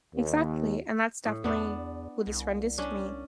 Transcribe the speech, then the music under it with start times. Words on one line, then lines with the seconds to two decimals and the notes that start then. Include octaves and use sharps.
Exactly, and that's definitely who this friend is to me,
0.13 D#2
1.25 A2
1.44 E2 B3 D4
2.27 C2
2.78 C#4 D4